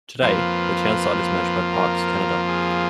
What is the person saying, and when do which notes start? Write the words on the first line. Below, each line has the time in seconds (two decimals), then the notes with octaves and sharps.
Today, the town site is managed by Parks Canada.
0.22 F2 F3 A#3 F4 B4
1.73 A#4
2.48 G#4